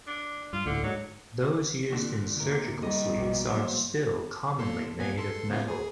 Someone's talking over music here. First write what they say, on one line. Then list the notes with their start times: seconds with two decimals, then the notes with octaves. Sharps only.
Those used in surgical suites are still commonly made of metal.
0.07 D4
0.53 G2 F4
0.66 D2 A2 D3
0.83 G#2 F#3
1.90 A#2 D3
2.37 D2 C3 A#4
2.83 D#3 G3 D#5
3.16 A#1 B2
3.50 E2 A#2 F#3 C5
4.58 A#2 A4 C6
4.99 A#2 B3 G#5
5.18 A4 C6
5.50 C#3 B3 F4
5.68 G#4